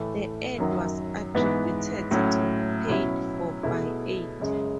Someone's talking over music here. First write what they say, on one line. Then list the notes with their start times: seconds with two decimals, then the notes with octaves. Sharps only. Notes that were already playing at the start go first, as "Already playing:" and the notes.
The ad was attributed to paid for by Ald.
Already playing: A2 E3 A3
0.58 F#2 D#3 F#3
1.35 G#2 E3 B3
2.11 A2 F#3 C#4
2.87 B2 F#3 C#4 E4
3.63 B2 A3 E4 G#4
4.40 F#2 C#3 G#3